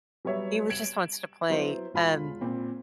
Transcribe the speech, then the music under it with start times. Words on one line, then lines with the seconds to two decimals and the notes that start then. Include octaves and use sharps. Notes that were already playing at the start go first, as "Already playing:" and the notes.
He was just wants to play. Um,
0.25 F#3 G3 B3 C#5 E5
0.70 G#6 D7 E7 F#7
1.50 F#3 B3 E4 C5
1.94 E1 F4 B5
2.41 A#2 C4